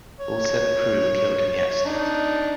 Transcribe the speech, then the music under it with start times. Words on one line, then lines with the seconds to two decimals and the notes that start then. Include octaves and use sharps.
All seven crew were killed in the accident.
0.20 C#5
1.85 D4 D#4